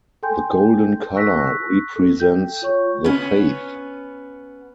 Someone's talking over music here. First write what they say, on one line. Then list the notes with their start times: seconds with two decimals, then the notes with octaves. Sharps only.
The golden color represents the faith.
0.23 A4 G5 G#5 C6 G6
1.15 C#6 E6 F#6 A#6 B6
1.96 A4
2.20 G5 G6
2.62 F4 C#5 C#6
3.04 B3 C#4